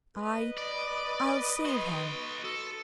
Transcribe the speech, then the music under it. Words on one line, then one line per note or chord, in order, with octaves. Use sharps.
I... I'll save him.
B4 D#5
D5
F#4 C6
A4